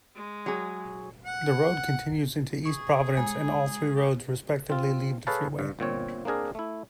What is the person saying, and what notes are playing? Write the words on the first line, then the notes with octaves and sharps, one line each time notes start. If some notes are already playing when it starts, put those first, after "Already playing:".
The road continues into East Providence and all three roads respectively leave the freeway.
G#3
F#3 G#4
F#5
G#4 C#6
G#3 G#5
G4
C4 F4
G#4 A4 B4 C#5 F5 A5
G2
G1 A#2 C4 C#5
A#3 C4 D4 G#4 A#4
A3 E4